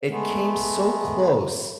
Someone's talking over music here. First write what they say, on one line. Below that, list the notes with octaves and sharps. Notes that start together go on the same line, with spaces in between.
It came so close
G#3 A3 B3